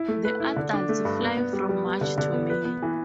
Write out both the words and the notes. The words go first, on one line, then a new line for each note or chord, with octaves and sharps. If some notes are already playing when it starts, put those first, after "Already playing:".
The adults fly from March to May.
Already playing: E4
A3
B4
E4
D3
D4
A3
G2
B3
B3
G3
G3
B3
D3
D3
B3
B4
B3
E3